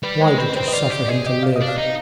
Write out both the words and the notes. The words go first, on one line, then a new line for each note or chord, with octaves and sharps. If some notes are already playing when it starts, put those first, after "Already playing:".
"Why did you suffer him to live?"
G3 B4
G#3 C5
C4 B4
C4 C5
D#5
F4 D5
G4
G#4 D#5
G4 D#5
F5
D#5
D4
F5
D#4